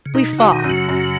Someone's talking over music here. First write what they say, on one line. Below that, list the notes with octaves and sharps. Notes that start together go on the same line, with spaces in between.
We fall.
C#3
B2 D#4
C#3
F#4
B2 D#3
F#2
C#3 F#3
F#2